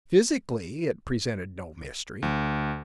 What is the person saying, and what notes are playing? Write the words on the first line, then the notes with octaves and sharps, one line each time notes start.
Physically it presented no mystery.
D2